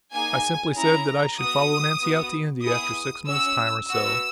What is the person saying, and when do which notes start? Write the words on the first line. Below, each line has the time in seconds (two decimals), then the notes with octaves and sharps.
I simply said that I should follow Nancy out to India after six months' time or so.
0.13 A#3 D#4 G#4 G#5
0.75 C#4 E4 G#4 A#5
1.38 B3 F#4 D#6
2.02 B3 F#4
2.63 B3 E4 G#4 D#6
3.26 C#4 F#4 E6
3.89 B3 F#4 E6